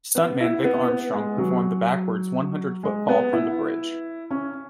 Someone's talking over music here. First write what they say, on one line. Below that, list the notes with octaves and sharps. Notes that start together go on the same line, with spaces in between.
Stuntman Vic Armstrong performed the backwards one-hundred-foot fall from the bridge.
B3
E4
B3
B3
G#3
F#3
G#3
B3
E4
C#4